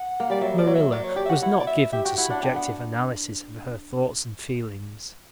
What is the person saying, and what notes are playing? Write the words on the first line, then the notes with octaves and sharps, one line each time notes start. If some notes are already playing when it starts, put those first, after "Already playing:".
Marilla was not given to subjective analysis of her thoughts and feelings.
Already playing: F#5
A#3
G3 D5
F#3 E5
D5
F#3
E5
F#3 D5
C#5
G4 D5
E5
F#4 F#5
E4 F#5
D5
E5
G4 E5
F#4 G5
E4 F#5
D4 F#5
D4 G5
B3 F#5